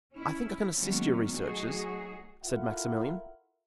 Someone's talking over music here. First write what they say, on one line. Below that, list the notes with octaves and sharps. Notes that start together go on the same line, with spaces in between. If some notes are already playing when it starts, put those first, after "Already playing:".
"I think I can assist your researches," said Maximilian.
C#4 E4
D#3 F#3 G#3 A#3 B3 C#4
F#3 A3 D#4 F#4 G#4
E4 F4 A4 A#4 E5 F#5